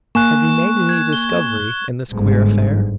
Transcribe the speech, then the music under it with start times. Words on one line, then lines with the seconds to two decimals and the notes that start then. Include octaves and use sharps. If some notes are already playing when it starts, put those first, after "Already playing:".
Have you made any discovery in this queer affair?
0.15 A#3 G#5 C#6 F#6
0.89 G#6
1.13 G7
2.12 G1 G#2